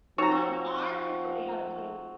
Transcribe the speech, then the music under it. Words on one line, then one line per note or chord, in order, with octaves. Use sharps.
um, our Chick-fil-A had a plate.
F3 C4 D#4 F#4 C#5 A#5